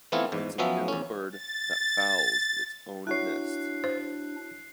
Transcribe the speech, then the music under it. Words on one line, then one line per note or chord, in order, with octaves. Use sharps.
It's an ill bird that fouls its own nest.
E3 A3 B3 C4 E4 F4
E2 G#2
F3 F#3 B3 C#4 E5
E2 C#4
A6
D4 E4 F#4 C#5 F#6 C7
C5